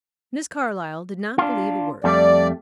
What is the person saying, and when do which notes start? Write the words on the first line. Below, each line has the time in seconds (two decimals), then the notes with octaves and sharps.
Miss Carlyle did not believe a word.
1.38 D4 F4
2.04 F2 G3 A3 D5